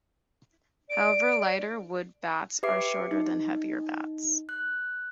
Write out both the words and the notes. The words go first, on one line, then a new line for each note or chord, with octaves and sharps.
However, lighter wood bats are shorter than heavier bats.
D5 D7
G4 B4 E5 D6 C7
C#7
D#4
F#6